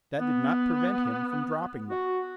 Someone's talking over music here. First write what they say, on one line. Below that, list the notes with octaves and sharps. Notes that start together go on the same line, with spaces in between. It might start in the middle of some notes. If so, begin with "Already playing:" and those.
That did not prevent him from dropping them.
B3
F#4